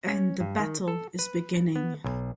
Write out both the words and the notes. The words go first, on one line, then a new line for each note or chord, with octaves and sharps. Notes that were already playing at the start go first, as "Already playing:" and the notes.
And the battle is beginning.
C#4
G2
D#3
A4
B4
B3
B1